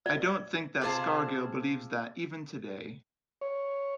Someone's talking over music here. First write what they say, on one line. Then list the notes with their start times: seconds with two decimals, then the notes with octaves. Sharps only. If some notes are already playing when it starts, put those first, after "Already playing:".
I don't think that Scargill believes that even today.
0.06 D5
0.81 C3 F4 G#4 C5 F5 A5
3.41 C#5